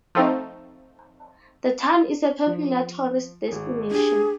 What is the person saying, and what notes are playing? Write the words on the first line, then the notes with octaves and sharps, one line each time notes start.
The town is a popular tourist destination.
F3 A3 C4 D#4
F3
G#1 G#4
D4 G4 G#4